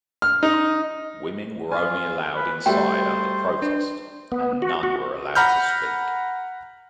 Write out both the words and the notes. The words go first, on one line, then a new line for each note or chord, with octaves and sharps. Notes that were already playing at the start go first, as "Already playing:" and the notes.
Women were only allowed inside under protest and none were allowed to speak.
F6
D#4
F4 G#5
B4
G3 A3 F#4 C5 G5
D4 B4
B3
F#4
F#4
F#5 A#5 B5 F6 G6